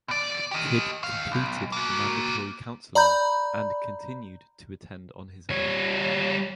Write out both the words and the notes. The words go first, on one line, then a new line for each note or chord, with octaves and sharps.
Kidd completed the mandatory counseling and continued to attend on his own.
B2 D5
G4 D#5
D#3 F5
B1
A#3 F#4
D5 A#5 B5 G6
G3 C#5